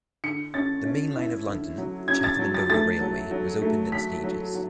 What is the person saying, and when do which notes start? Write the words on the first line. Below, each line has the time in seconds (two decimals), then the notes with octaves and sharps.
The main line of the London, Chatham and Dover Railway was opened in stages.
0.24 D3 C#7
0.54 C#4 A6
0.85 C#4
1.16 E4
1.47 D3
1.78 F#3
2.08 C#4 G#6
2.24 A6
2.39 F#3
2.54 A6
2.70 A3 A6
3.01 F#3
3.31 F#3
3.62 A3
3.92 F#3 B6
4.24 F#3
4.55 F#3